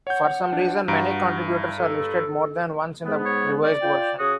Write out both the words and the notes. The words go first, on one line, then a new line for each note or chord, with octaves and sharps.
For some reason many contributors are listed more than once in the revised version.
C#5 F#5 G6
D4
G2 F#4 A#5 D7
E4
A4
G#2 G#3 B3
C#5
D5
F4 G5
C#3 F#4 C#5 D#6